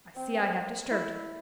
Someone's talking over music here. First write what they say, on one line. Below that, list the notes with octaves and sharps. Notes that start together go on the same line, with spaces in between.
I see I have disturbed you.
C4
E4